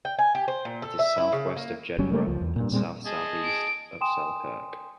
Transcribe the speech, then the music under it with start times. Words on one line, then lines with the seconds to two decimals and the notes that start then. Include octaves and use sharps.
It is south-west of Jedburgh and south-southeast of Selkirk.
0.05 G5
0.19 G#5
0.35 G4
0.48 C5
0.65 A#2
0.82 A4
0.99 E5
1.18 E4
1.32 C#3
1.56 A#3
1.98 F#1 F#3 G3 C#4
2.11 C#3 G3 A3 A#3
2.26 C#2 F3
2.41 E2
2.56 G2 A#2
2.72 A#2 G3 G#3 C4
3.06 G#4 D#5 A5
3.44 D7
4.01 G5 G#5 C6 D#6 E7